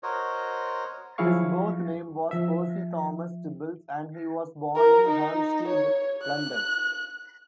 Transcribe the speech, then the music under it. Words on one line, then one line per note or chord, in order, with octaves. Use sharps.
His birth name was Percy Thomas Tibbles and he was born in Hampstead, London.
F#4 A#4 C5 C#5 D#5
F3 F#3 E4 G#4 F5 C#6
F3 E5
A#4
D#4
C#5
F#6